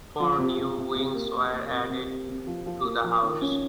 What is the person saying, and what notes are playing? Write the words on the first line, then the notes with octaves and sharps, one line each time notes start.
Four new wings were added to the house.
F3
C3
C3
C3
C3
A#3
A#3
A#3
C3
C3
C3
C3
F3
F3
A#3
F3
D#3
C#4